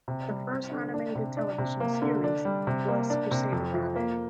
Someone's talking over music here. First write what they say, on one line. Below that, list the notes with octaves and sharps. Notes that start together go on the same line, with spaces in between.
The first animated television series was "Crusader Rabbit".
C3
G3
C4
D3
D4
C3
D4
C3
A#3
D3
D4
G3
C3
A#3
D4
C3
F2
F3
A#3